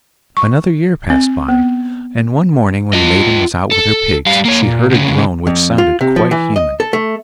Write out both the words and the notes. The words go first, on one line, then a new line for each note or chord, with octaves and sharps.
Another year passed by, and one morning when the maiden was out with her pigs she heard a groan which sounded quite human.
C#6
C4
B3
F4 D#5
A4
G3 F5
A#3 C#5
A#2
D2 C#3
F2
F4
C3
F3
E3
D#5
A4
A3